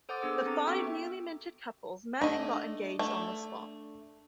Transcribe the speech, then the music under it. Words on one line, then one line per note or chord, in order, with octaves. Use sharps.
The five newly minted couples met and got engaged on the spot.
A4 C5 F#5 D6 D#6 A6
B3 D4 G#4 E6
C4 A4 A#5 D6
B3 F#4 E5 G5 C#6 E6
A3 D4 D#5
A3